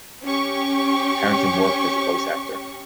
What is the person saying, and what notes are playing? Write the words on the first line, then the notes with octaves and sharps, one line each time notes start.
Harrington worked as a voice actor.
C#4 G4 C#6